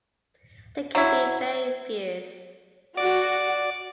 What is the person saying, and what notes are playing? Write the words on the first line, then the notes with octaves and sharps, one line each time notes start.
They can be very fierce.
F#3 E4
F#4 D5